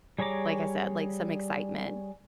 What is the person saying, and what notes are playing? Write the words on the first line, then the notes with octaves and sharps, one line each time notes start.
like I said, like, some excitement
G3 G#4 C#5 A#5 D6